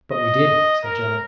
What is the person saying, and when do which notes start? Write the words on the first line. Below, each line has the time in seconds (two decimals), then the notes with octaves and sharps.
"But we did," said John.
0.12 D#5
0.84 A#4